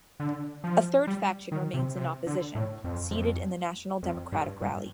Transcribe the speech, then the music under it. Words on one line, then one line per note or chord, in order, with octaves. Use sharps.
A third faction remains in opposition, seated in the National Democratic Rally.
D3
F3
G3
D#3
C3
C3
D3
A2
F2
F2
F2
G2
G2